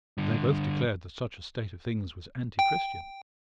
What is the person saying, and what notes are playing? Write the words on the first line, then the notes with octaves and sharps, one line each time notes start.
They both declared that such a state of things was antichristian.
G2 D3
G5